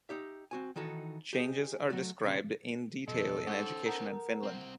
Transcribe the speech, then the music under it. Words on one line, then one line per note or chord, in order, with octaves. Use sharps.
Changes are described in detail in Education in Finland.
D#4 G4 E5
C4 F#4 G#5
D#3 E3 D#4 F#4 A4
G4 G#4 D#5
F#3 G#3 A3 F#4 A4
D#2 A#2 C#3 C#4
F2 B2 A4 D#5
C#4 D#4 C5 F#5
A#4 F#5 A#5
G3 C4